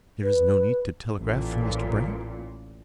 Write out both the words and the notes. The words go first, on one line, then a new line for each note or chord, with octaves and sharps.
"There is no need to telegraph for Mr. Brand?"
B4
A1 A#2